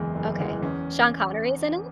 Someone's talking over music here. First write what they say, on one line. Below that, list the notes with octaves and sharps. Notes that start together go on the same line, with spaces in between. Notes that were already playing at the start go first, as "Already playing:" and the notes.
Okay, Sean Connery’s in it?
Already playing: F#1 E2 E3 G#3 B3
F#1
E2 E3 G#3
E2 C#4